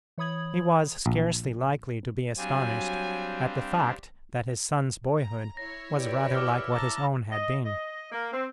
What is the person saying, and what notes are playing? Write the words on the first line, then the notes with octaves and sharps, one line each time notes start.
He was scarcely likely to be astonished at the fact that his son's boyhood was rather like what his own had been.
E3 C#5 B5 D#6 G#6 F#7
A#1
F#3 G3 C4 D4 F5 G#5
A#5
E4 C#5 E5 A#6
G4 B4 D5
D6 E6 F6
A5 A#5 E6
D#5
D#5
A#3
C4